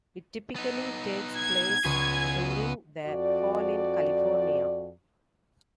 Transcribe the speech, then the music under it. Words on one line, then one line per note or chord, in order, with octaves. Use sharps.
It typically takes place during the Fall in California.
B3 D#4
G#6
C#2 B3 G#4 B4
F2 F#4 D5